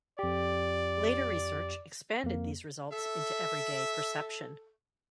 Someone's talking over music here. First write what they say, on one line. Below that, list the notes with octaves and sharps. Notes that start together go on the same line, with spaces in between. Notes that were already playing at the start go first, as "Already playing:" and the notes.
Later research expanded these results into everyday perception.
F2 G4 D5
F2 A#3
A4 E5